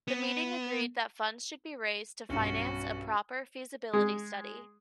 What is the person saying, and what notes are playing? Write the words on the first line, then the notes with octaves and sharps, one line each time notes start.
The meeting agreed that funds should be raised to finance a proper feasibility study.
B3
B1 G2 C#4 F#4
G#3